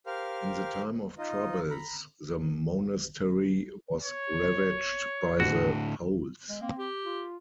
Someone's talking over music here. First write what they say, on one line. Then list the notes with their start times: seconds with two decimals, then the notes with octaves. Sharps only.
In the Time of Troubles, the monastery was ravaged by the Poles.
0.06 G4 A#4 C5 F5 F6
1.18 D#4 F4 D#5
1.70 A#5 B5
4.02 C#5
5.40 A2 D3 F#4
6.49 G#3
6.62 A#3 C4
6.79 G4
7.05 F4